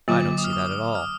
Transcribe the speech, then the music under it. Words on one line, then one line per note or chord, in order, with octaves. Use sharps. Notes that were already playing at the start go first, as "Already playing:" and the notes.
"I don't see that at all."
D3 F#3 A#3 F4 D6
D#6
F6
D#6
D#6
F6